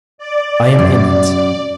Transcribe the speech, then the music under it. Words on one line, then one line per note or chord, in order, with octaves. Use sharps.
I am in it.
D5
F#2